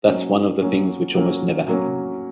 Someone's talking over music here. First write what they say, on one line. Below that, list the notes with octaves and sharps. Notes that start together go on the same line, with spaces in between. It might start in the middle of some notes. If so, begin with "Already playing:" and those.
That's one of the things which almost never happen.
F#3 A#3 C#4
F#3 A#3 C#4
F#3 A#3 C#4
F#3 A#3 C#4